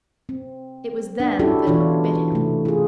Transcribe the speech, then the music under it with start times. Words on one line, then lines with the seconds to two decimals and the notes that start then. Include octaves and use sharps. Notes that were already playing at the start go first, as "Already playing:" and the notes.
It was then that Hook bit him.
0.29 C4
1.20 D4
1.39 C#4 D4 E4 F#4 G4 A4
1.67 B2 E3 D4 F4 G4 C#5
2.32 C3 A3
2.65 F4 G#4